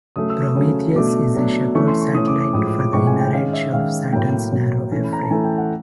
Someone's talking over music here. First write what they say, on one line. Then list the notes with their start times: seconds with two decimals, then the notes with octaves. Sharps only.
Prometheus is a shepherd satellite for the inner edge of Saturn's narrow F Ring.
0.16 C#3 F#3 A3 C#4 D#6
0.30 E6
0.43 D#6
0.55 C#3 F#3 A3 C#4
0.95 B2 F#3 A3 D4 D6
1.35 B2 F#3 A3 D4
1.75 E3 A3 C#4 C#6
1.88 C6
2.01 C#6
2.14 E3 A3 C#4 D#6
2.27 D6
2.41 D6
2.53 A2 F3 G#3 D#6
2.67 D6
2.80 D6
2.93 A2 F3 G#3 C#6
3.07 G#5
3.20 G5
3.32 D#3 G#3 C#4 F5
3.53 E5
3.72 D#3 G#3 C#4 F5
4.12 A2 F#3 A#3 G5
4.52 A2 F#3 A#3
4.92 E3 A3 C#4
5.04 B5
5.13 A#5
5.22 A5
5.31 E3 A3 C#4 G#5
5.44 G5
5.58 F#5